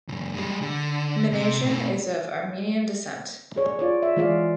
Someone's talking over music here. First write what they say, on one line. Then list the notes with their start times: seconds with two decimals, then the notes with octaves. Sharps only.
Minasian is of Armenian descent.
0.08 C#2 F#2
0.34 G3 G#3
0.62 D3
1.32 C3
1.62 B2 A3
3.56 G#4 C#5 D5
3.79 F4 C#5 D5
4.03 E5
4.16 E3 G#3 F4 G#4 D5 F5